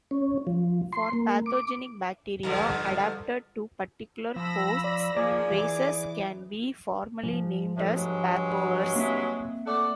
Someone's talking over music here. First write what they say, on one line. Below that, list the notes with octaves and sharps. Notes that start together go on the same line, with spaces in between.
For pathogenic bacteria adapted to particular hosts, races can be formally named as pathovars.
C#4
F3
C6
A#3
D6
G2 D3 F3
F3 B5 E6 A#6
D5
D#3 F3 A#3 G#4 D5
E3 D6
G#2 F3
A2
G2 F#3 G#3
A#3 C4 E5
A3 D5 F#5